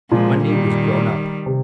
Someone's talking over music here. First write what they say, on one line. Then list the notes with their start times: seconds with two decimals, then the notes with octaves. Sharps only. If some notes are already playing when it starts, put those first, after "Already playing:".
Wendy was grown up.
0.11 A#2 F3 G#3
0.45 D#3 G3
1.46 C3